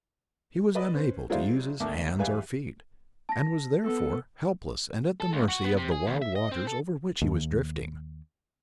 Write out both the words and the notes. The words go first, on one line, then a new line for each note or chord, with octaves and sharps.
He was unable to use his hands or feet, and was, therefore, helpless and at the mercy of the wild waters over which he was drifting.
B4 D5 D#5 B5 D#6
C#4 B4 C5
F#3 G#3 E4 C5 D5 F5
D2 A#3 E5 A5 D6
E2 G3 B4 E5 F5 G#5
A5 A#6
B3 A4
A4
C#2
F#4
B3
C3
G#4
D#2
E5
D#5
C4
A4
D#2